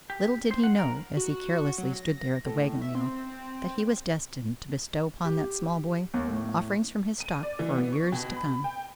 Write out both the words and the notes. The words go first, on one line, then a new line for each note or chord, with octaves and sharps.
Little did he know, as he carelessly stood there at the wagon wheel, that he was destined to bestow upon that small boy offerings from his stock for years to come.
G4
C5
F#5
A#4
F#4
F#3
A#6
A2
E5
C4
G4
D#2
A2
D#7
D5
E3
B3
C#6
B2
B5
G5